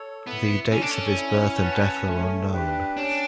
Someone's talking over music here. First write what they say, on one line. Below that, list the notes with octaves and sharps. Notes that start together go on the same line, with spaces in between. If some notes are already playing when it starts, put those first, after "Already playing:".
The dates of his birth and death are unknown.
Already playing: A4 C#5
B3 E4
C#4 A4 D5
D4
C#4
E4
B4 F#5 A5
A3
D4 G4 B4
C#4 D4